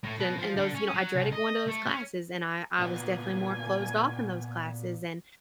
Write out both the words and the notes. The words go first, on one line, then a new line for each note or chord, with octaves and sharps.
h and and those you know, I dreaded going to those classes, and I I was definitely more closed off in those classes, and,
A2
B2
F3
D3
C#4
F#3
C2
D#5
A3
C#4
A#2 A#3 B3 G#5